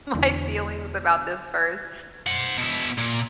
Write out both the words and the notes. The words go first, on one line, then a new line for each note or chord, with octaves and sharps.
my feelings about this first,"
E2 B2 D3 E4
C5 F#5
B2 E4
A#2